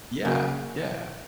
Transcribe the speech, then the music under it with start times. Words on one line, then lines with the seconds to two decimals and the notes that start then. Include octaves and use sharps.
Yeah, yeah.
0.24 C#3 F#3 A#3